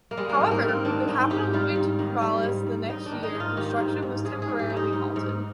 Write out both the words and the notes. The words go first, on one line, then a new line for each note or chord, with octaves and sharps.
However, with the capital moving to Corvallis the next year, construction was temporarily halted.
A#3
G3 G#3
A#3 C4
G#2
A#3
G#2
C4
D#3 D4
G#2 D#4
G#2 G4
G3 F4
G#2
D#3
G3
G#2
G#2
G#2 D#4
D4
D#3
D#4
G#2
F4
D#3 G4
G#2
G#2
G#2 G#4
G#4
G#2
G4
G#2
D#4
G#2
G#2